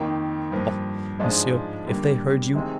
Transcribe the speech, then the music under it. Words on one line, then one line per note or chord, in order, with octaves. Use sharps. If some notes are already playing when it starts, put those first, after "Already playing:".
Oh! monsieur, if they heard you!
Already playing: F2 D#3 A#3 D#4
G2 F3 A#3
G#2 F3 G#3 D4 F4
D3 G3 A#3
C3 D#3 G#3 C4 F4